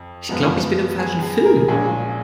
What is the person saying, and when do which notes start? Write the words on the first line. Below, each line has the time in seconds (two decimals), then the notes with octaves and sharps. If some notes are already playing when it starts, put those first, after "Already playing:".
Ich glaube, ich bin im falschen Film.
Already playing: F2
0.29 F#2 F3 G#3 B3
0.99 G#4
1.22 G#4
1.45 A#4
1.68 A#1 A#2 G#3 C#4 G#4